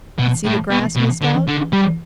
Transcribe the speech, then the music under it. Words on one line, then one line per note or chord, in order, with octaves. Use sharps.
But see the grass missed out!
B2
A2
B2
B2
D3
D3
G3